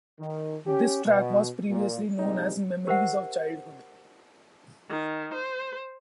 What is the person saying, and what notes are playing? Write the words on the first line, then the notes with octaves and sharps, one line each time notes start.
This track was previously known as "Memories of Childhood!".
D#3
C#4 G4
B2
A#2
A#1 C3 G3 G#3 D#4
G4 A#4 C5 E5 F#5
D#3
C5